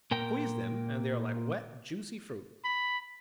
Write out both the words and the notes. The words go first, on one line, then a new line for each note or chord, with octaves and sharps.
Squeeze them, and they are like wet, juicy fruit.
A#2 A#4 G5
B5